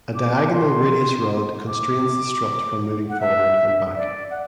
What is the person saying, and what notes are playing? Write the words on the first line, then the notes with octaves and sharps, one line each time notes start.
A diagonal "radius rod" constrains the strut from moving forward and back.
D6
C6
D6
F#5
E5
D5
F#5